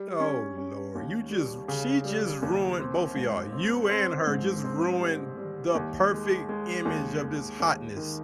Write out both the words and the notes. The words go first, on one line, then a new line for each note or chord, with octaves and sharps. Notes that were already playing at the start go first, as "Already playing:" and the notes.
Oh Lord, you just she just ruined both of y'all you and her just ruined the perfect image of this hotness.
Already playing: G3
C#4
C#4
D#2
G3
C#3
G3
D#2
C4
G#2
C4
C4
G#2
C4
G3
G3
D#2
G#3
G#3
D#2
D#2
D#2
D#3